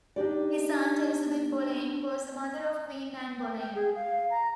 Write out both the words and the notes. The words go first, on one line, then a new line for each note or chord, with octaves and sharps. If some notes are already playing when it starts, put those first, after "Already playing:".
His aunt, Elizabeth Boleyn, was the mother of Queen Anne Boleyn.
D4 D#4 G4 D5
G5
G5
G#4
F5
A#5